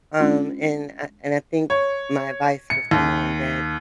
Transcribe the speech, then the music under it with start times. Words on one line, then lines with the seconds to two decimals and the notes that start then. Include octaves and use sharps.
Um, and I and I think my advice for someone that,
0.20 G#3 C#4 D4 F4
1.70 C#5
2.70 C#7
2.91 D#2